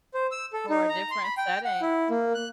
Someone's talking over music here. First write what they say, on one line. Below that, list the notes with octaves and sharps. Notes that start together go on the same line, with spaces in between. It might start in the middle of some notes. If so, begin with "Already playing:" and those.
Or a different setting,
C5
E6
A4
D#4
A#5
C6
B5
G5
F#5
E4
A#3
F#6